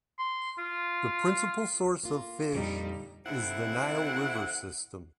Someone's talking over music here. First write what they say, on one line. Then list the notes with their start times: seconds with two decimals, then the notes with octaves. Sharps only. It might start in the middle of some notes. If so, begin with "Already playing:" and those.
The principal source of fish is the Nile River system.
0.19 C6
0.58 F4
2.03 A#3 F4
2.52 F2 A#2 D3 G3 D#4
3.26 D#2 C3 A3 C4 E4 F#5